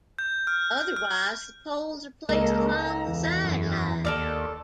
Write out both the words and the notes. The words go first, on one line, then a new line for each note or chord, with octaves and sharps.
Otherwise, the poles are placed along the sideline.
G6
F6
F6
C#2 G#3 A#3 A4 A#4 D#5
A#5
E2
F#2
D#2 A4 A#4 D5